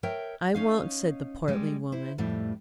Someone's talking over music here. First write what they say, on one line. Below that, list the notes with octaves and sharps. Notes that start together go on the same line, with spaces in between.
"I won't," said the portly woman.
A#4 C#5 E5 G5
C#4 D#4 F5
G3 G#3
E4 C5
F2 A2 G3 A3